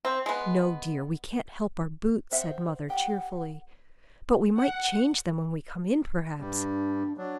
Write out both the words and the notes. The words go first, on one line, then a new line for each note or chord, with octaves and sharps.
'No, dear, we can't help our boots,' said mother, cheerfully, 'but we might change them when we come in, perhaps.
C4
G#3 B3
C4 C5 E5 F#5
G4 F#5
F#5
G2 G3 D4
F#3 D4 C#5